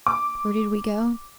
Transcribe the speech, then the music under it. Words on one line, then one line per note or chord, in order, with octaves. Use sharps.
Where did we go?
D6